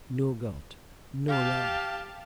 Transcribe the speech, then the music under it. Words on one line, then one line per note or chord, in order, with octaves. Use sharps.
No God! no Love!
G4 F5 A5